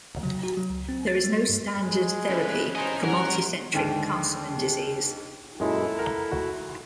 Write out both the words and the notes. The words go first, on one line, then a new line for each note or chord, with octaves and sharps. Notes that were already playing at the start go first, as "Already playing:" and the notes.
There is no standard therapy for multicentric Castleman disease.
F#3
F#4
F#3
C#2
C4
A6
G3
G2
G#3
G1 C#4 E4 A4 B4
A#4 C5 D#5 G#5
G3 A#4 C#5 F#5
D#2 G#2 D3 D#3 G#3
F#2 A#2 G#3 E4 A4
A#4 F#5
F#4